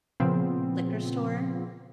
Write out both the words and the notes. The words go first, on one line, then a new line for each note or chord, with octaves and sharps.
liquor store?
A#2 C#3 F3 B3 C4